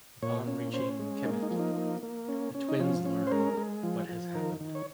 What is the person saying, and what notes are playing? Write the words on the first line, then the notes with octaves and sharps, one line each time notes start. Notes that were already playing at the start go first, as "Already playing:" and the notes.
Upon reaching Kemet, the twins learn what has happened.
A#2 C#5
C#4
C#4 C5
G#3
A#3 D#4
D#4
F3
D#4
A#3
A#3
C#4
C#4
D#4
F3 C#4
C#4
C5
G#3 A#4
G#3
F3
F3
D#3 A#4
D#3
C#5